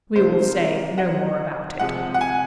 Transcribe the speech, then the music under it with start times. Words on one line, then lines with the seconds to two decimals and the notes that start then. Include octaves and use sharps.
We will say no more about it.
0.16 C3 D#3 A#3 C5
0.98 F#5
1.79 C3 F3 G#3 F#5
2.14 F#5
2.21 G#5